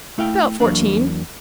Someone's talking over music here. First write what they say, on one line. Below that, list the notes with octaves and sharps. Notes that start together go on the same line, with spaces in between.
"About fourteen."
A3 E4 F5 G5
E2 F#3 A#3 D4